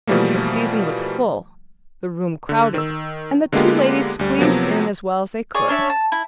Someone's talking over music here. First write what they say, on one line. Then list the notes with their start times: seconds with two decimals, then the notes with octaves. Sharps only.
The season was full, the room crowded, and the two ladies squeezed in as well as they could.
0.07 B2 E3 F3 G3 A3 A#3
2.49 D3
2.74 D#3 E6
3.52 D3 G#3 A#3 B3 F4 G4
4.19 D2 G3
4.39 C3 F3 F#3 A#3 B3
5.55 G#4 C#5 D5
5.68 C#4 D4 C#5 E5
5.90 A5
6.12 E4